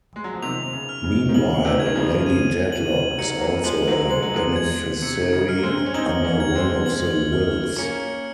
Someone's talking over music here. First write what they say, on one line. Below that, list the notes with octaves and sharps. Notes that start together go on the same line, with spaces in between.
Meanwhile, Lady Dedlock is also a beneficiary under one of the wills.
G#3
F#3
F3
C3 D#3 F7
C3
C#3
F6
C#3
D#3
C#3 F#7
C3 D#3
G#6
D#3
C#3 F3
D#7
F#7
D#3 F#3 C#7
F#3 A#3
F3 G#3 F#7
D#3 F#3
G#3 F#7
F#3
F3 G#3
G#6
C3 C#7
D#3
C#3
F6
A#3
G#3 C4
C#4
C4 D#4 F#7
A#3 C#4
G#6
G#3 C4
F#7
F6
A#3 C#4 C#7